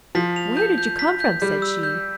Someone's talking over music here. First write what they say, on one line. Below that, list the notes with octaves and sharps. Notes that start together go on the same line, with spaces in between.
"Where did you come from?" said she.
F3 B6
F7
G6
G6
B6
G6
G3 G6
E6
G6